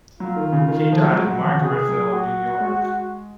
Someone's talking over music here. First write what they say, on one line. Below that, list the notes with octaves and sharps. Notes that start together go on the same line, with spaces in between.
He died in Margaretville, New York.
F#3 F4
D#3
C#3
D#3
D#3
F3
F#3
G#3 F#4
F#3
F3
C#3
C3 G#4
F#3
F#4
G#3